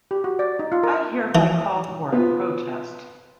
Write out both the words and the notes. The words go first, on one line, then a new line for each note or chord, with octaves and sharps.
I hereby call for a protest.
G4
F#4
D5
D#4
F4
A#4
E3
B3 F4